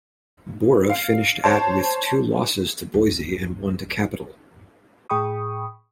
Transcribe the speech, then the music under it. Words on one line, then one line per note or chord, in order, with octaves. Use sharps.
Borah finished at with two losses to Boise and one to Capital.
F5
C5 C#5 A5
D1 F#2
A2 G#4 G5 B5 C#6 D#6